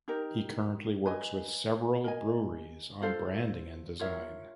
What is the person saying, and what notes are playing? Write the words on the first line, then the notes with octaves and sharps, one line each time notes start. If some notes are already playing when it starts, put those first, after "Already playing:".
He currently works with several breweries on branding and design.
D#4 G4 A#4
B4 D#5 G#5
A#4 D#5 G#5
F4 A4 C5 F5
F4 A#4 C#5 E5